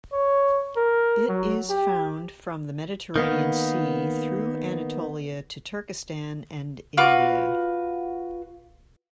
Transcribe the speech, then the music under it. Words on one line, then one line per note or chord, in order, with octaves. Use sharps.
It is found from the Mediterranean Sea, through Anatolia to Turkestan and India.
C#5
A#4
F#3
G4
D#3 A#3 B3
F4 F#4 B4 D6